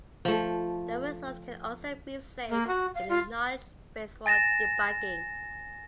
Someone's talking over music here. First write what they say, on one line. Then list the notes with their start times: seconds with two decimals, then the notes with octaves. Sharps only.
The results can also be saved in a knowledge base for debugging.
0.25 F3 A3
2.49 A#3
2.67 F#4
2.95 F5
3.09 F4
4.26 G#5 A6 A#6 E7